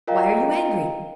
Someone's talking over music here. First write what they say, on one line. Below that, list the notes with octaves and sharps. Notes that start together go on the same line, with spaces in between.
"Why are you angry?"
F4 A#4 D#5 F5 G5 A#5